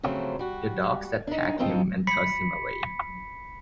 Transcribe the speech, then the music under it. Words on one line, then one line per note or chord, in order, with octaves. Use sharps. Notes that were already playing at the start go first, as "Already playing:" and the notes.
The dogs attack him and toss him away.
C#3 F3 F#3 A3 C4
G3 F#4
D4 D#4
A2 F3 C4 D#4 F4 G5
B5 B6 C#7